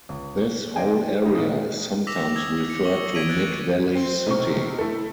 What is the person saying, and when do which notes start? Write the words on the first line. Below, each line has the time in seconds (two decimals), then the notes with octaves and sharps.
This whole area is sometimes referred to Mid Valley City.
0.09 C#2
0.76 C5 D5 D#5 G5 G#5
1.22 D#4 E4 G4
1.35 A#1 D#6
2.07 D6 E6 A#6 B6 E7 F7
2.36 D#6 E6 G#6
2.70 C#7
2.83 C#6 F#7 G7
3.14 G#6 B6 D7 D#7 F7 F#7
3.29 F#6 A6
3.95 C4
4.26 B1 C3 C#6
4.78 A3 E4 A4